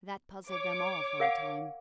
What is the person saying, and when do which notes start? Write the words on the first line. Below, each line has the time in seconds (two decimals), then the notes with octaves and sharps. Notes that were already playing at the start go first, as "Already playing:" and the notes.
That puzzled them all for a time.
0.50 C#5 D6
1.20 A#4 F5 F#5